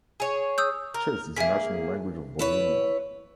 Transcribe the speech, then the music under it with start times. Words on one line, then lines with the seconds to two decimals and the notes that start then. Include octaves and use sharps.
Czech is the national language of Bohemia.
0.20 G#4 C#5
0.58 D#6 E6 G6
0.94 A#4
1.37 A#3 G#4 E5 B6
2.39 E4 B4 C#5